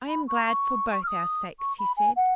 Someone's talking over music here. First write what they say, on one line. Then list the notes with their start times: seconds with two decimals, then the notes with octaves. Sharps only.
"I am glad for both our sakes," he said.
0.09 B5
0.28 C#6
0.46 C#6
0.91 C#6
1.03 F6
1.07 D#6
1.60 C#6
1.79 B5
1.97 G#5
2.16 F#5